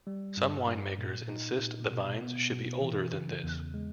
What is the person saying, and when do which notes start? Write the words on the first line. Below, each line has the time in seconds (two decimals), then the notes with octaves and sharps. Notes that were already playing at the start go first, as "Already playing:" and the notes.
Some wine makers insist the vines should be older than this.
0.07 G3
0.37 G2
0.67 G2
0.98 A#2
1.29 D#4
1.59 A#2
1.91 B2
2.21 B3
2.51 B2
2.82 E3
3.13 C#3
3.43 E2
3.74 G#3